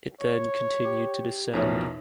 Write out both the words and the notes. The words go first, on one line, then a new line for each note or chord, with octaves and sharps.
It then continued to descend.
C#5
G4 D6
A1 E2 B2 F3 D#4 A#4 C#5 E5